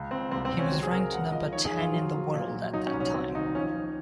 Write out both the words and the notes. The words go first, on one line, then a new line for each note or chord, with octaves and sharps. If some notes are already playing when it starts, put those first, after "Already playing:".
He was ranked number ten in the world at that time.
Already playing: C#2
C#2 C4
C2 C4
C4
C2
C#4
F#3
G#4
C#3 A#4
C#2 F#5
F3 D#5
D#3 C#5
G#4
F2
F4
F#3
F#3
A#2
F#3
F#3 D#4
C#4
C2
C#4
F#3 C4
D#2 D#4
F3 C#4
F3